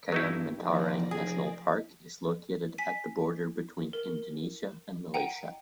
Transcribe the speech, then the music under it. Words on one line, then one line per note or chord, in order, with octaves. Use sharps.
Kayan Mentarang National Park is located at the border between Indonesia and Malaysia.
G2 F#3 D#4 E4
F1 F3 D5 A#6
F1 G#4
G#5 B6 D#7
A#4
F#5 G5 A#5 D#7